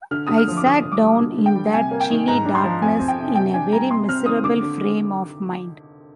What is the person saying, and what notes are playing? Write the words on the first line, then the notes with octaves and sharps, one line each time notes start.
I sat down in that chilly darkness in a very miserable frame of mind.
D3 F6
D3 D#6
F6
F3
D6
D3 D#6
D3
D6
G3
D3
D3
G5
G3
C3 G#5
A#3
G5
D#3
G#2 A#5
D4
C6
F3
F2 G#5
C4
G5
C3
C3 G5
D4 G#5
G3 A#5
C3 C6
C4 F6
D#3 D#6
D3 D6
D3